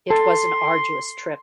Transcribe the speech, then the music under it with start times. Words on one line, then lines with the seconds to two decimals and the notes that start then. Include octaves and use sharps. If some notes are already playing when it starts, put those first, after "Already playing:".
It was an arduous trip.
0.10 A4 A5 C6